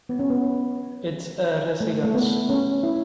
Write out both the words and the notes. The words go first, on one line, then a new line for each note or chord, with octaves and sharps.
It's a Residence.
B3
C#4
B3
A3
A3
B3
C#4
E4